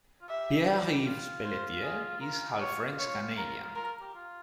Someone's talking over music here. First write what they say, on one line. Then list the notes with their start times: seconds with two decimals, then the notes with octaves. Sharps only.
Pierre-Yves Pelletier is half French Canadian.
0.21 F4
0.29 G4 E5
1.06 F4
1.44 C5
1.83 G#4
2.21 F4 A#4
2.60 C#5
2.99 C#5
3.37 A#4
3.75 F4 A#4
4.01 G4
4.14 F4